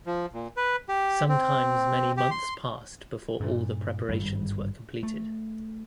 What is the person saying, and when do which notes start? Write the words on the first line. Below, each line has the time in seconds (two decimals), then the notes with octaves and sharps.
Sometimes many months passed before all the preparations were completed.
0.06 F3
0.34 A#2
0.57 B4
0.89 G4
1.29 C4
2.17 G4
2.31 C6
3.40 G2 A#2
4.08 G#1 G2 G3
5.03 A3